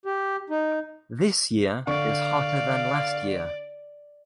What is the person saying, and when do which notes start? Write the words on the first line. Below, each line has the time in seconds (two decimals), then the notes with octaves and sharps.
This year is hotter than last year.
0.06 G4
0.50 D#4
1.87 D3 D5 F5 C#6